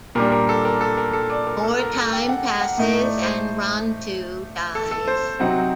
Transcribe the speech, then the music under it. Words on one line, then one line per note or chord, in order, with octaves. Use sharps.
More time passes and Rontu dies.
A#2 G3 D4 A#4
A#4
A4
A#4
A4
A#4
A4
D5
A#4
A4
A#4
A4
G5
F#5
F#5
A2 A3 D#4 D#5
D5
C5
A4
A4
C5
C3 F#3 C4 D#4 F#5